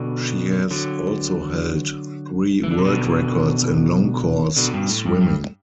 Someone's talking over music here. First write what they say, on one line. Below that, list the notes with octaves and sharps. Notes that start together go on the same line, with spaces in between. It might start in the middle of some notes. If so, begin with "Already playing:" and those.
She has also held three world records in long course swimming.
Already playing: B2 D3
D3 F#3
E3
D3
C3
B2 D3
B2 D3
G2 B2
A2
G2
G2